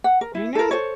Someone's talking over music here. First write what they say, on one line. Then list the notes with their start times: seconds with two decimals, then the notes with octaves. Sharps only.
I know.
0.04 F#5
0.21 A#4
0.35 E4
0.55 A4 A#4
0.71 A4 C5 C#5